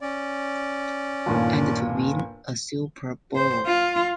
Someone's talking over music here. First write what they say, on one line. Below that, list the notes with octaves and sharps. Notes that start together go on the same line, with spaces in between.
And to win a Super Bowl.
C#4 D5
G1 D#2 A#2
C5
F4